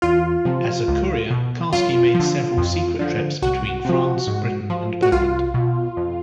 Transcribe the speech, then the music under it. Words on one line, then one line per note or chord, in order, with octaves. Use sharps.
As a courier, Karski made several secret trips between France, Britain and Poland.
E2 F4
C3 F3
C#2
B2
F#2 F4
D3 F3
F2
D3 F3
C2 F#4
C3 F3
G#2
F3
F#4
C2 F4
B2
F2